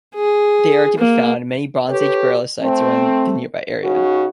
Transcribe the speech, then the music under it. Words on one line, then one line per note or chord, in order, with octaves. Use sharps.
There are to be found, many Bronze Age burial sites around the nearby area.
G#4
A#3
G4 A4 B4 C#5
A3 C4
C#3 D#4 F#4